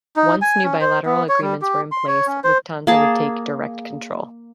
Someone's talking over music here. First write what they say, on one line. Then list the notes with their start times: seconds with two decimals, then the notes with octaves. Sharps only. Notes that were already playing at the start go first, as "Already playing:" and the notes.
Once new bilateral agreements were in place, Lufthansa would take direct control.
0.16 D#4
0.42 G#5
0.64 C#4
0.81 C5
1.06 B3
1.29 C#5
1.42 G3
1.62 G4
1.92 C6
2.08 C#5
2.27 C#4
2.44 C5
2.87 A#3 G#4 A5